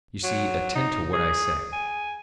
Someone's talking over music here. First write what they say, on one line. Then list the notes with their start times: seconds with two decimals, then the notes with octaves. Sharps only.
You see, attend to what I say.
0.23 F#3
0.75 D#4
1.13 G#4
1.72 G#5